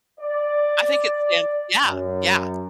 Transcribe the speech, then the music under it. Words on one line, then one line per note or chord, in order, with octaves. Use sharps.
I think it's stands Yeah, yeah.
D5
F#2